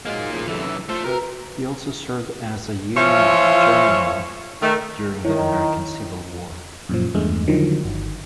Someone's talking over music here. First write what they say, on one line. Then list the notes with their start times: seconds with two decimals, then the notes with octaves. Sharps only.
He also served as a Union general during the American Civil War.
0.05 G#2 F#3 G#3 A#3 D#4 F4
0.30 A2 C#3 F3
0.48 F#2 C3 E3 A4
0.89 A3 F4 A4 C5 E5
1.04 C3 F#4 A#4 B4 A#5
2.97 E3 F3 F4 C#5 E5 F5
4.62 D#3 A3
5.25 D#3 E4 C#5
6.89 F#2 A#2 F3
7.14 E2 G2 G#3 A3
7.47 D3 D#3 F3 F#3
7.85 G1